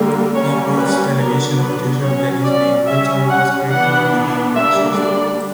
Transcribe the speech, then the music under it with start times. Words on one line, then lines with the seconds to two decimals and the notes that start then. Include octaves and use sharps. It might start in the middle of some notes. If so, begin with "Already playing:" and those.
He approached television producer Dennis Main Wilson with a script about a young Marxist.
Already playing: D3 G3 A#3
0.34 G3 A#3 C#4 C#5
0.76 B4
1.18 D3 F#3 B3 D4 A#4
1.60 B4
2.02 F#3 C#4 C#5
2.44 D5
2.86 G3 C#4 E5
3.29 F#5
3.70 E3 B3 D4 F#5
4.55 D3 G3 A#3 D4 E5
4.96 D5